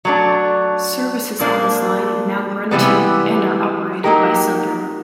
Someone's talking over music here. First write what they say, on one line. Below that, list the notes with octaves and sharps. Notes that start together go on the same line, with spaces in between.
Services on this line now run to and are operated by Southern.
F#3 A3 D4
A#2 F3 A#3 D4
C3 E3 G3 B3
F#3 A#3 D#4 G4 A#4